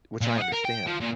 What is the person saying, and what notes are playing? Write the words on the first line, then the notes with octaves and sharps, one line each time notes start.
which I understand.
A#2
D#5 F#5
A#4
G5
F3
A#2